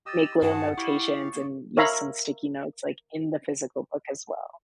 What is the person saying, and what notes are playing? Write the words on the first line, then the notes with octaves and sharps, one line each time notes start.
make little notations, and use some sticky notes, like, in the physical book, as well.
G4 D#5 D#6 E6 A6
G2 F#4 G#4 F#5 A5
E4 G4 F5 C#6 C#7
A#3
A#4 C#5 E5 F5 A#5 B5